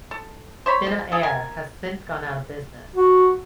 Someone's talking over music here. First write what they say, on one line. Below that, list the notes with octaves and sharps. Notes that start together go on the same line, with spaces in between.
Fina Air has since gone out of business.
A4
C5 C#5 B5
F3
G#4 A4
A#4 G#5
F#4